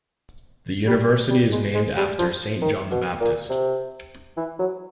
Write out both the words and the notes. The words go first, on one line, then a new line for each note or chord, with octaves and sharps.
The university is named after Saint John the Baptist.
G3
G3
G#3
G#3
G3
F3
D#3
B2
A#2
C3
E3
F#3